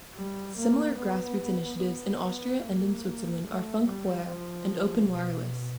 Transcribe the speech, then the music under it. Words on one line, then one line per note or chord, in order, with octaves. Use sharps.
Similar grassroots initiatives in Austria and in Switzerland are FunkFeuer and Openwireless.
G3
A#3
B3
B3
A#3
A3
G3
F3
B2